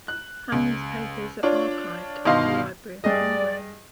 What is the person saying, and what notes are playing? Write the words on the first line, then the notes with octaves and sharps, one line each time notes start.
Hamlin's papers are archived at the Library of Congress.
F#6
C#2
D4 F4 C#5 D5
G1 B2 D#3 D#5 F5 C6
G2 G#4 D5 D#5